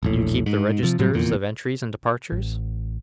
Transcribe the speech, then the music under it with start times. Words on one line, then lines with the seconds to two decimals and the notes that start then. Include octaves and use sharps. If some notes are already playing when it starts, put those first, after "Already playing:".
"You keep the registers of entries and departures?"
0.03 E1 A#1 A2
0.46 G#2
0.83 C3 F3
0.99 A2 C3 F#3 G3
1.13 F1 E2 A#2
2.32 A1